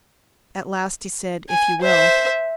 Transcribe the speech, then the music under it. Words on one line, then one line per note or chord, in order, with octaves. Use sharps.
At last he said, "If you will."
G#5
C5 E5